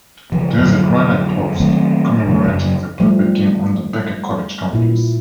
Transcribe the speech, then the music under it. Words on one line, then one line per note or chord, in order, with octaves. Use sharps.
There is a granite post commemorating the perfect game on the Becker College campus.
C#3 E3 F3
F2 D3 F3 F#3
D#3 F#3 A3 C4
B2 D3 E3 A3
F#2 C#3
F3 G3 A3
A#2 E4